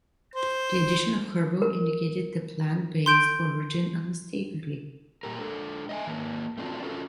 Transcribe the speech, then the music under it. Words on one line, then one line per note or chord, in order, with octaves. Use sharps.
The addition of “herbal” indicated the plant based origin unmistakably.
C5
A#4
C6 G6 D7
A#2 G4 A#4
G#3 D4 A4
D#5 E5 G5 G#5
D#3 A#3 B4
A3 C4 D4 F4 F#4
C#4 F4 F#4 A4 A#4